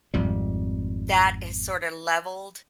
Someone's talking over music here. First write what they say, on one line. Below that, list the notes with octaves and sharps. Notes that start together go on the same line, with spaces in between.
That is sorta leveled
G#1 F2 G3